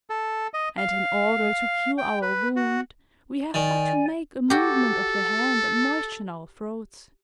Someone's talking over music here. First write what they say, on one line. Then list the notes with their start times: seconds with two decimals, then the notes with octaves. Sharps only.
And in order to cure our wound we have but to make a movement of the hand and moisten our throats.
0.10 A4
0.54 D#5
0.78 F5
1.98 G5
2.22 B4
2.56 F#4
3.54 D#3 D5 G#5
4.50 F#4 G4 A4